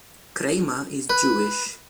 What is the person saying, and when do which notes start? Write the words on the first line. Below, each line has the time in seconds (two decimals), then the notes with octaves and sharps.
Kramer is Jewish.
1.10 B4